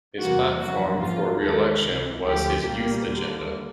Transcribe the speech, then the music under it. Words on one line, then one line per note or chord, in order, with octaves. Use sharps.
His platform for re-election was his 'Youth Agenda'.
E2 C3 E3 G3 A#3 F#4
F2 C#3 F#3 A#3 F#4
G#2 F3 A#3 F4
D#2 D#3 G#3 A4
C#2 C3 E3
D2 D3 F3 A3 G4
C2 A#2 G3 A#3
D#2 D3 G3 A#3